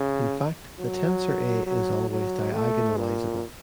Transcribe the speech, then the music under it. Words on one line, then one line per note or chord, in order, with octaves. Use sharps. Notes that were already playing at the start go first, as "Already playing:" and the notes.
In fact the tensor A is always diagonalizable.
Already playing: C#3
F#3
F#3
F#3
A3
A#2